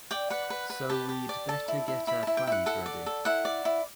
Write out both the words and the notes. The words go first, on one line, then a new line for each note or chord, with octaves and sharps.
So we'd better get our plans ready.
D5 G5
B4 F#5
B4
B4
G4 A5
G4
D5
A4 A5
E4
E4
E4 B5
E4 A5
G5
E4 F#5
A4 F#5
D5
A4
E4 F#5
D5
E4